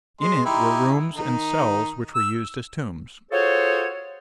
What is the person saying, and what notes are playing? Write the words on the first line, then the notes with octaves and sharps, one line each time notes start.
In it were rooms and cells which were used as tombs.
G#3 C6
D#4 E4 G4
D#3 D#4
E6
F4 F#4 G#4 A4 C5 C#5